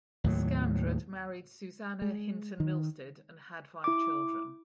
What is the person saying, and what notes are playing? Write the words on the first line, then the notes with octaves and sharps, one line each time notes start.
Scandrett married Susannah Hinton Milstead and had five children.
D#2 A2 F#3
G#3
D#3
E4 D6